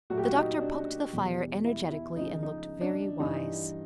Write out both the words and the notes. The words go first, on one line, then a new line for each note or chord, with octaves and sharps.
The doctor poked the fire energetically and looked very wise.
A#2 F#3 A3 F#4
G4
F#4
D#4
D4
E2 B2 G3
E4
E4
C#2 C#3 F3 D#4
D#4
D4
G2 E3 G3 D#4